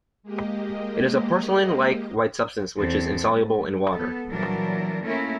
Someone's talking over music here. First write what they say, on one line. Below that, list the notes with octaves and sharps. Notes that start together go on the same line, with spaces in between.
It is a porcelain-like white substance which is insoluble in water.
G#3 A#3 G4 D#5
E2 C4 A4
G#2
B3 A4
A#2 E3 F#3 G3 D4 A#4
A3 A#3 C#4 E4 A#4